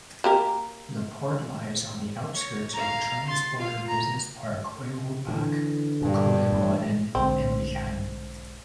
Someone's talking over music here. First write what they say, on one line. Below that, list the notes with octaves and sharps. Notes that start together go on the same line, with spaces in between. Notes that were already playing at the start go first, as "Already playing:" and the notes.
The port lies on the outskirts of the trans-border business park Europark Coevorden-Emlichheim.
A#3 G4 A#4
C#5
F5 A#5
C6 A6
F4 F5
A#5
D3 E3
G2 A#2
A2 E3 G3
B1 G#2 D3 C4